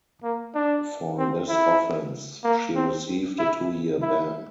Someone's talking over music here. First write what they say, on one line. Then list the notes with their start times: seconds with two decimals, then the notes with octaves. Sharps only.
For this offence she received a two-year ban.
0.23 A#3
0.55 D4
1.18 C4
1.49 E4
2.44 A#3
2.76 C4
3.39 E4
4.02 E4